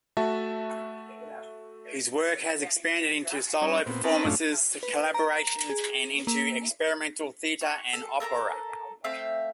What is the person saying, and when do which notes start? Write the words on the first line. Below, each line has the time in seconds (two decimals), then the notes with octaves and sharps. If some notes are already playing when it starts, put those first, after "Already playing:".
His work has expanded into solo performances, collaborations, and into experimental theatre and opera.
0.17 A3 F#4 E5 A5
3.62 G3 C#4 D#4 C#5
3.86 A#2 B3 C4
4.04 C4 C#4 D#4 A#4 B4 A5
4.24 F#2 A2 A3 C#4 D4 F4
4.83 B4
5.14 A#5
5.70 G#4
6.27 A#3
7.61 C#6
7.93 A4
8.20 A4 A#4 E5 A#5
9.04 A3 C4 E5 F5